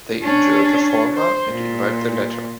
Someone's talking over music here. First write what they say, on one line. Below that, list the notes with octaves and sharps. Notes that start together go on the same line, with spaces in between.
They injure the former and invite the latter.
C#4 D4
C5
A#2